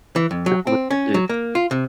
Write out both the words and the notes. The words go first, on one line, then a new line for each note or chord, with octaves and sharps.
Oh my goodness.
E3
F2
F#3
C4
C#4
F#3
A#3
F4
C3